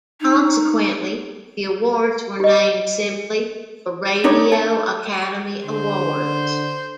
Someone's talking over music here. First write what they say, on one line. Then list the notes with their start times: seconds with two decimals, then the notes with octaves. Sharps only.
Consequently, the awards were named simply "The Radio Academy Awards".
0.21 D#4
2.40 G4 D#5
4.24 D4 D#4 C#5
4.52 A4
5.67 D3 C5